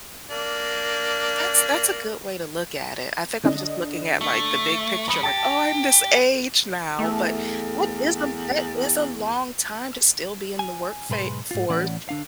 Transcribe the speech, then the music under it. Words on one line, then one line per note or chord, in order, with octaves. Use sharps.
That's that's a good way to look at it, I think I'm just looking at, like, the big picture, like, "Oh, I'm this age now," but, that is a that is a long time to still be in the work fa force
A#3 D4
D3 D4 D#5
A3
E2 G3 B5 D#6 C#7
G4 A5 A6 A#6
E2 A3
G#5
B1 G#2 G#4 B4 A#5 C6
G#2 F4
A2 E3 C#4 D5 F#5
D3 D4 F5